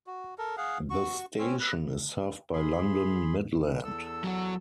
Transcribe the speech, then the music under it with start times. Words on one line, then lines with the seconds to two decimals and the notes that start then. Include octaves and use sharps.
The station is served by London Midland.
0.07 F#4
0.38 A4 A#4
0.57 G#4 F5 F#5
0.90 F#4 C#6
1.39 C4 C#4
1.60 B4
2.53 G#4 B5 C6
3.84 E2 A4 E6
4.24 F#3 F#4